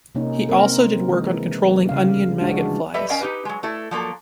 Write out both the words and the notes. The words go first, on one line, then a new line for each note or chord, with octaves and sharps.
He also did work on controlling Onion maggot flies.
C3 A#3 C#4 D#4
A#3 C4 A#4
E3 G#3
C#3 G3 F5
E3 F3 G#3 C#4 D4 F#4
G4 A4 B4 D#5 E5
C#4 A#4 D#5 F5 G5
D#4 G4 B4
F#3 G#3
A3 E4 A4
F3 F#3 A#3 A4